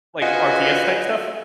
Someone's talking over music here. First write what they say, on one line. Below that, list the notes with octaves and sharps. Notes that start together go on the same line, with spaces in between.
like, RTS type stuff?
F4 F#4 B4 C5 D#5 G#5